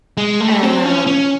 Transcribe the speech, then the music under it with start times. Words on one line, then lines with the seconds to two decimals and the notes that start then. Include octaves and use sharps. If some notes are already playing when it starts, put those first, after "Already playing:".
And, um
0.17 G#3
0.40 A3
0.63 C4
0.85 C#4
1.07 C#4